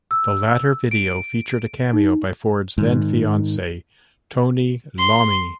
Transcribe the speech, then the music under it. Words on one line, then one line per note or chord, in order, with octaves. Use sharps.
The latter video featured a cameo by Ford's then fiancee, Tony Iommi.
E6
D7
D#4
G#2 D#3
C6